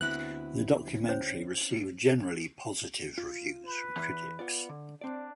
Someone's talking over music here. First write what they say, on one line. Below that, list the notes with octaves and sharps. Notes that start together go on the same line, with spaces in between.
The documentary received generally positive reviews from critics.
D2 B3 C4 E4 F#6
C#4 C5 C#5
F4
B4
E2
B3 F4 D5
D3
C4 D4 D5